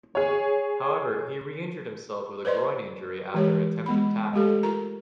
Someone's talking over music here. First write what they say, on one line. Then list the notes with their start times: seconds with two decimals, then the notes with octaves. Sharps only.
However, he re-injured himself with a groin injury after an attempted tackle.
0.15 G#4 C#5
2.45 B4 C5 D5 D#5 C6
3.34 E3 G#3 G4 C#5
3.86 G#3 B3 B5
4.33 G#3 A3 G4 A4
4.63 F4 A#4 A#5